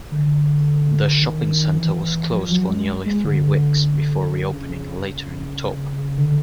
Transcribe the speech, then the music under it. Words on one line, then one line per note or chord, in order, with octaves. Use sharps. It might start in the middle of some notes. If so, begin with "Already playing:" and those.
The shopping center was closed for nearly three weeks before re-opening later in October.
D3
D#3
E3
F3
F#3
G#3
G#3
D3
C#3
D3